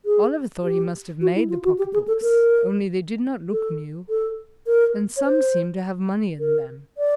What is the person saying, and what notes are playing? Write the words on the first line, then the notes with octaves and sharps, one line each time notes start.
Oliver thought he must have made the pocketbooks, only they did not look new, and some seemed to have money in them.
G#4
G4
F#4
E4
F4
F#4
G4
G#4
A4
A#4
A4
A4
A#4
C#5
C5
A#4
D5